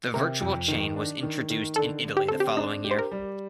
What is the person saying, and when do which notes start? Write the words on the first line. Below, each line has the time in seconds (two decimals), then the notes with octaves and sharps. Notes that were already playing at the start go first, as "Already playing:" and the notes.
The virtual chain was introduced in Italy the following year.
0.14 C3 A#4
0.41 F2
0.68 D#3
0.96 D4
1.23 D#3
1.50 D#3
1.76 D3 A4
2.04 D3
2.17 G4
2.28 C4 A4
2.40 G4
2.57 D4 D#4
2.84 G4
2.91 C5
2.99 A#4
3.11 G3